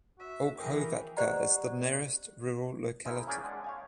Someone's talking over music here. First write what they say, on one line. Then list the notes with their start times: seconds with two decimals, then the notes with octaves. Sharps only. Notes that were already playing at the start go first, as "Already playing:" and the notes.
Olkhovatka is the nearest rural locality.
0.18 F#4 E5
0.58 E3 G#4 A#4 G5
1.17 G4 C5 D5 D#5 F#5 A#5
3.05 D#4 E4 G#4 A#4 C5 E5
3.27 A#3 C#4 G#4 B4 D5 G5
3.44 G#3 D4 F#5
3.64 C#5 F5 G#5